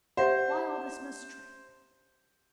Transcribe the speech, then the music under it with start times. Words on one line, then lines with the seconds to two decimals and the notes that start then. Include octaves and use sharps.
Why all this mystery?
0.17 G4 C5 E5 F#5